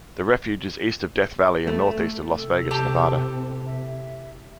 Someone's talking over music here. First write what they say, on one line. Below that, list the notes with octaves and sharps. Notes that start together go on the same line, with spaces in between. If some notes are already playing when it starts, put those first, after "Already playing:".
The refuge is east of Death Valley and northeast of Las Vegas, Nevada.
A3
C3 A4
A2 G4 A5
E5